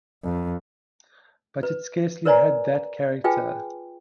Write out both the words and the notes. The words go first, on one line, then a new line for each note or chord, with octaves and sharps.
But it scarcely had that character.
F2
B4
A#4 B4 C#5 D5 G#5 A#5
F4 G#4 B4 G5 G#5